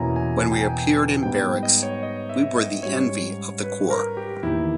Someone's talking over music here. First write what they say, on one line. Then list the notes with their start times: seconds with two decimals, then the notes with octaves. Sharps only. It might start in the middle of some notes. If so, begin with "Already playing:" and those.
When we appeared in barracks, we were the envy of the corps.
Already playing: E2 B2 A#3 C#4 E4 G#5 A#5
0.16 G#5
0.42 G#5
0.52 G5
0.61 G#5
1.23 G#2 G3 B3 D#4 G5
1.63 D#5
1.83 C#5
2.03 D#5
2.29 E5
2.56 D#5
2.83 G#2 G3 C#4 C#5
3.63 B4
3.90 A#4
4.17 G4
4.43 E2 D#3 A#3 D#4 E4